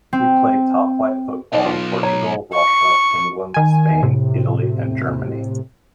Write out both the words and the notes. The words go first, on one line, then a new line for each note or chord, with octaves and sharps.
He played top flight football in Portugal, Russia, England, Spain, Italy and Germany.
C4
B1 D#4 C#5 D#5
F4
C#5 A#5
C#6
D#3 G#5
A2 C3